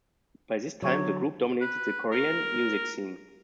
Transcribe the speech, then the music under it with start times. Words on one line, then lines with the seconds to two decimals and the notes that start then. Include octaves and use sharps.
By this time, the group dominated the Korean music scene.
0.82 D3 F#3 C#5 C#6 G#6
1.61 B4
2.12 A#4